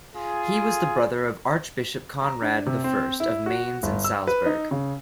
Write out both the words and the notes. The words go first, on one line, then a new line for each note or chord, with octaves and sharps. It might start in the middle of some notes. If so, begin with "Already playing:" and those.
He was the brother of Archbishop Conrad I of Mainz and Salzburg.
F4 G#4
A#5
D4
C3
C4
E4
F#4
G1
E6
B4
D#4
C#3